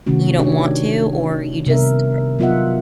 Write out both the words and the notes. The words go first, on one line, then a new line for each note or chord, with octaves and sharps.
you don't want to? Or, you just
C3 D#3 A3 C#4 F#4
D4 D#4 F#4 G4 C#5
C3 G3 B3 A#4 E5
F#3 B3 F4 D#5 E5 F#5